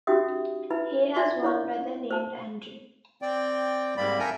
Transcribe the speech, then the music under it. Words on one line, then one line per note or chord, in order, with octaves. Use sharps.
He has one brother named Andrew.
C#4 D#4 F#4 G4 E5 D#6
D#4 E4 B4 E5 B5
D4 F4 D5 E5 C6
E4 C#5 C#6
C5 A5
C4 D5 G5
G#2 G3 A#3 C4 D5 B5
A4 A#4 E5 G5 G#5 A#5